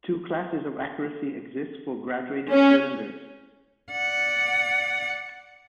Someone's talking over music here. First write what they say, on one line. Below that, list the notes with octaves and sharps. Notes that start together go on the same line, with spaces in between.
Two classes of accuracy exist for graduated cylinders.
C#4
D5 F#5